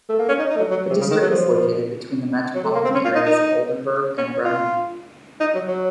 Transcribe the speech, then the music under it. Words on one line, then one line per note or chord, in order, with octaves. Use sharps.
The district is located between the metropolitan areas of Oldenburg and Bremen.
A3
A#3
C#4
D#4
D#4
A3
F#3
F#3
C3
C#3
D#3
F#3
F3
F#3
A3
A#3
C4
C#4
F4
D#4
D#4
C#4
F4
D#4
F#3
F#3